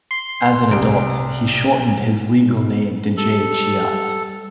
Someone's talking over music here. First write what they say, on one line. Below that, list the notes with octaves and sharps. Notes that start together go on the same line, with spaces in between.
As an adult he shortened his legal name to Jay Chiat.
C6
C2 D7
G#2
G3 A4